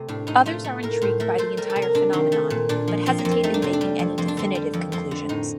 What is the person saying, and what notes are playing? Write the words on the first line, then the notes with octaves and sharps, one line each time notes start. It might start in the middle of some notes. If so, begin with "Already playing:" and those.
Others are intrigued by the entire phenomenon, but hesitate in making any definitive conclusions.
Already playing: C3 A3 C4
A2 D4
A2 D#4
A3 F4
A3
A2 A#4
A2 C5
A3 A#4
A3 C5
G3 A#4
A4
C3
A#4
C3 D4
D#3 C4
A3
A#2
A#2 D4
F3
F3 C4
A#3
F2
C4
A3 D#4
D4
C3 C4
D4
G3
F2
F2 C4
D4
D3 C4
G3
F2
F2 C4
D3
A2 D#4